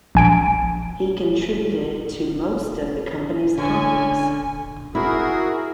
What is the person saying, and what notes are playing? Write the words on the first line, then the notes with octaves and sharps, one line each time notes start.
He contributed to most of the company's comics.
A#1 G#5 D7
D3 C#4 G#5
E4 F#4 G#4 A#4